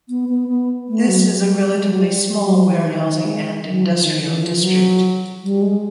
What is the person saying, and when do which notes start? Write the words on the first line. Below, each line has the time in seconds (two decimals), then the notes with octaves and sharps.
This is a relatively small warehousing and industrial district.
0.09 B3
0.29 B3
0.48 B3
0.89 A3
1.08 F#3
1.28 F#3
1.48 G3
1.75 G#3
1.89 F#3
2.00 G3
2.26 G3
2.46 F#3
2.67 E3
2.85 D#3
3.05 D#3
3.25 G#3
3.65 F#3
3.85 F3
4.05 D#3
4.23 E3
4.43 F3
4.63 F#3
5.43 G3
5.62 G#3